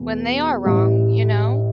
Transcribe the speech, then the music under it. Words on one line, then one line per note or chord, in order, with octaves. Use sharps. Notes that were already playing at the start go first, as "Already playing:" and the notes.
when they are wrong, you know?
Already playing: E2 B2 A3
A1 A2 G3